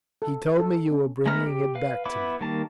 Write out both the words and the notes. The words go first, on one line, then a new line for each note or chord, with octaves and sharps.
"He told me you were bringing it back to me."
A4
A4
C#4
G#3 A3 B3 A#5 F6
G4
B4 F5
B3 E4 B4 B5 D6
D#3 G3 A#3 A5